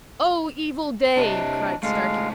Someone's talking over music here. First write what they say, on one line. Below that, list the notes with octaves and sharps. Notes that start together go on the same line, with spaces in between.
"O evil day!" cried Starkey.
C3 D4 C#5 D#5
G#2 C#3 G#3 A3 F5